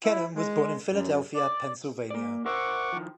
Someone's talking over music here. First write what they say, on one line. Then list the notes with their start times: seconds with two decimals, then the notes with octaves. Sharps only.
Kennan was born in Philadelphia, Pennsylvania.
0.05 E4
0.34 G#3
0.94 F#2
1.35 D5
2.10 A#3 D5
2.46 A#4 C5 E5 F#5 C#6 D6
2.93 D#3 F3